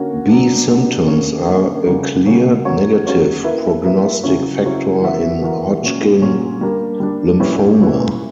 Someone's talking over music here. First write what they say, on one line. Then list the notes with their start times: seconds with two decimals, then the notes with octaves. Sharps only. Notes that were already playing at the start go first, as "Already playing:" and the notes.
B symptoms are a clear negative prognostic factor in Hodgkin lymphoma.
Already playing: D3 A#3 C#4 F#4
0.28 F#3 B3 D4
0.68 F#3 B3 D4
1.07 D3 A#3 C#4
1.47 D3 A#3 C#4
1.86 C#3 G3 C#4 F#4 A#4
2.26 C#3 G3 C#4 F#4 A#4
2.65 F#3 C#4 F#4 C#5
3.05 F#3 C#4 F#4 C#5
3.44 A#3 E4 B4 E5
3.83 A#3 E4 B4 E5
4.23 C#3 F#3 C#4 E4
4.63 C#3 F#3 C#4 E4
5.02 E3 B3 F#4 A#4 E5
5.42 E3 B3 F#4 A#4 E5
5.82 A#2 F#3 C#4
6.21 A#2 F#3 C#4
6.61 G3 A#3 D4
7.00 G3 A#3 D4
7.39 A#2 G3 C#4 E4 B4
7.80 A#2 G3 C#4 E4 B4